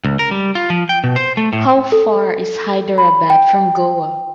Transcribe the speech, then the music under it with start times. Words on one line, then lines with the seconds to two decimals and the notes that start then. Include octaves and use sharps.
How far is Hyderabad from Goa?
0.05 C#2
0.19 A#4
0.31 G3
0.55 F4
0.70 F3
0.89 G5
1.04 B2
1.16 C5
1.37 A3
1.53 A2
1.92 A4
2.98 B5
3.30 G5